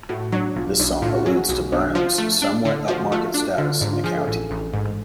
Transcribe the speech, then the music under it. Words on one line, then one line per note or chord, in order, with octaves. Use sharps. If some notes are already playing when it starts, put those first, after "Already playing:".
This song alludes to Burnham's somewhat upmarket status in the county.
A2 F#4
F#3 D4
B1 F4
B1 D4
A2 F4
F#4
F#3 G#4
F#4
B1
B1 D4
F3 F4
A3
D4
D3
F3 F#4
A3 F4
D4
D3 F4
G#2 D4
F4
F3 G#4
A4
A1
A1
G#2